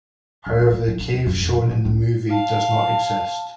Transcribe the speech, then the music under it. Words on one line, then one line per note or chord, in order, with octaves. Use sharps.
However, the cave shown in the movie does not exist.
D2
A1
A2
F3
D#4
D#2
F#2
F2
B2
B3
C#2
F5 A5